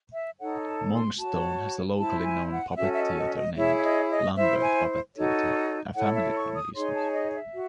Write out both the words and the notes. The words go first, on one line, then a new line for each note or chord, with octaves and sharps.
Monkstown has a locally known puppet theatre named Lambert Puppet Theatre, a family-run business.
E5
D#4 A4 C#5 F#5
A5
C6
F#4 C#5 A5
E4 C5 A5
G#5
F#5
F#5
C#4 F#4 A4 E5
E5
D#5
D#5
D#5
E4 G#4 C#5 E5
E5
D#5
D#5
E4 C5 E5
G#5
D#4 F#4 A4 C#5
E4 A4 C#5 F#5
E5
C#6
D#6
D#4 G#4 C#5 C6
A5
D#5
E5
F#4